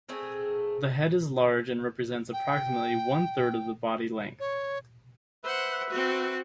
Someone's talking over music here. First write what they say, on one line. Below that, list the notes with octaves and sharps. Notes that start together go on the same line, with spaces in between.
The head is large and represents approximately one third of the body length.
A3 C4 G#4 A#4
G5
C#5
B4 C5 E5 F#5
C4 F#4